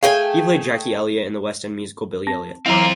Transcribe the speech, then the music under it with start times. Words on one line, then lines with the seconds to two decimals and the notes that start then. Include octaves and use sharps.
He played Jackie Elliot in the West End musical "Billy Elliot".
0.03 A3 G#4 F5 G5 G#5
2.27 C4
2.66 E3 F#3 C4 E4 F4 F5 A#5